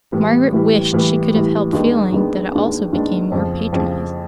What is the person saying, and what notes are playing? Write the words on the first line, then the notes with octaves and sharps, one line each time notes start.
Margaret wished she could have helped feeling that it also became more patronising.
A2 E3 G3
A2 E3 G3
A2 E3 G3
A2 E3 G3
D#2 D#3 G#3 B3 D4
D#2 D#3 G#3 B3 D4
D#2 D#3 G#3 B3 D4
D#2 D#3 G#3 B3 D4
F2 C#3 F3
F2 C#3 F3